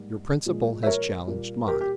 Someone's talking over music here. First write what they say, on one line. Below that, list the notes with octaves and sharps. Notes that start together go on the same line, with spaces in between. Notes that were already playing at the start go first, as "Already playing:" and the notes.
Your principal has challenged mine.
Already playing: G#2 G3 A#3
A#2 F3 G#3
E5
A#4 C#5
A#2 G3 A#3
G4 A#4
G4